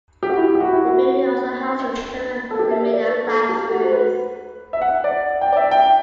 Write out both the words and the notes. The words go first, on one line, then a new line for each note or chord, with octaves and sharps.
The building also houses several multimedia classrooms.
G4
F#4
E4
G4
F#4
E4
F#4
A4
G4
E5
D5
D5
B4
A4
G4
F#4
C5
B4
E5
F#5
D5
G5
D5
E5
G5